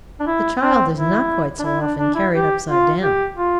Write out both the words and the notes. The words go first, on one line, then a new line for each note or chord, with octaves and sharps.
The child is not quite so often carried upside down.
D4
E4
C4
E4
D4
E4
D4
D4
E4
G4
F4
G4
F4